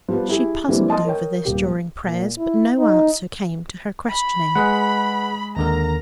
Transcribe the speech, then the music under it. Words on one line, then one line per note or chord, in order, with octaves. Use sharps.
She puzzled over this during prayers, but no answer came to her questioning.
F3 G3 B3 B4
E4 G4 G#4
D3 E3 G3 A#3 C4 E4
D#5 A5 C6 D#6
A#4 C#5 G5
D#1 G4
A#2
E4
D#4
B5
G#3 G#4 B4 F#5
D#2 D3 A#4 A#5